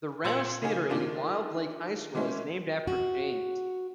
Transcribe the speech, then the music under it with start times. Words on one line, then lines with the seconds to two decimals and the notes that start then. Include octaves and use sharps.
The Rouse Theatre in Wilde Lake High School is named after James.
0.24 A#2 C5 E6 G#6 C#7 F#7
0.62 C#3 A#3 D#4 G#4
0.90 D#3 A#3 D4 F4
2.15 E3 G#3 A#3 C#4 E4
2.87 F#4